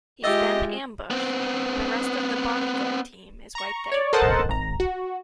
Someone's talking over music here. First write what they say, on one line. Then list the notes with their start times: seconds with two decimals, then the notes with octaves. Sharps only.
He's then ambushed, and the rest of the bodyguard team is wiped out.
0.24 G#3 F4 G4 D#5 E5 E6 A6
1.11 B3 C4
3.55 A#5 C#6
3.92 C#5 D5
4.13 A4 A#4 C5 D#5 F#5 A5
4.49 G#1 A#5
4.80 F#4